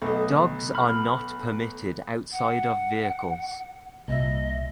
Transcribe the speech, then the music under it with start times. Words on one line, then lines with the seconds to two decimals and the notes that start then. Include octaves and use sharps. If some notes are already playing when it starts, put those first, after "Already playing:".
Dogs are not permitted outside of vehicles.
0.02 B1 A3 D#5
0.75 B5 F6
2.32 F#5
4.08 C2 A#2 D#5 E5